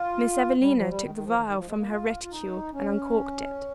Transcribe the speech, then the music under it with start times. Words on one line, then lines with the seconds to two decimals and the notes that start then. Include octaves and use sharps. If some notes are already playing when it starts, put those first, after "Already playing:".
Miss Evelina took the vial from her reticule and uncorked it.
Already playing: F4
0.61 G3
0.76 F3
0.89 G3
1.04 D#3
1.15 D#3
1.25 F3
1.36 D#3
1.46 D#3
1.57 F3
1.67 G#3
1.79 A#3
1.88 F4
2.24 F4
2.32 D#4
2.73 C#4